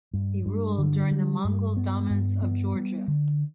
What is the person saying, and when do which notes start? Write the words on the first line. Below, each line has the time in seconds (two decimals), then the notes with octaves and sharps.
He ruled during the Mongol dominance of Georgia.
0.13 G2
0.46 G2
0.78 D3
1.11 G3
1.44 G2
1.77 B3
2.10 G2
2.42 B3
2.75 G3
3.08 D3